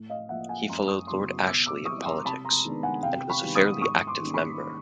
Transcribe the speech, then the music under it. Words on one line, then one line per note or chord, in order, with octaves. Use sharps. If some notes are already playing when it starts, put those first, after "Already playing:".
He followed Lord Ashley in politics, and was a fairly active member.
Already playing: A2
D#5 F5
F3 A#3 E5 F#5
F#5 G#5
F#2 A#5 C6
C#6 D#6
C#3 F#3 B3 E4 C6 D6
B2 D6 E6
D6 E6
G3 C4 E4 C#6 D#6
A#5 C6
C3 A5 B5
A#5 C6
D#3 G#3 B3 D4
F#5 G#5
C3 F5 G5
B5 C#6
D#3 G3 B3
C#6 D#6
G#2 C#6 D#6
C6 D6
D#3 G3 A#3 C#4
B5 C#6